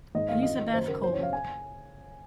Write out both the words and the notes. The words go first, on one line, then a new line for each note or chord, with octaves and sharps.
Elizabeth Cole.
G#2 D#5
D#3 F5
F2 D#5
D#3
F#2 C5
C#3 A#4
F#2 C5
C#5
C#3
F5
G#5